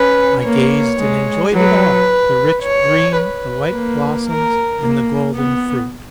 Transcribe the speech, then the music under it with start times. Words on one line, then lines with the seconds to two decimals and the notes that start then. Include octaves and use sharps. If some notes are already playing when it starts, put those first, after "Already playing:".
I gazed and enjoyed it all, the rich green, the white blossoms and the golden fruit.
Already playing: C#4 B4
0.44 A#3 C#5
0.99 G#3
1.53 F#3 B4
2.63 C#5
3.17 B4
3.72 A#3
4.27 A#4
4.81 A#3
5.35 B3